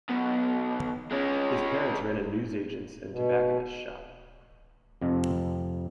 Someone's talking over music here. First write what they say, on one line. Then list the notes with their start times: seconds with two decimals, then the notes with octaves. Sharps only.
His parents ran a newsagent's and tobacconist's shop.
0.10 B1 B2
1.11 G#3 C#4
3.08 B2
5.01 F2 C3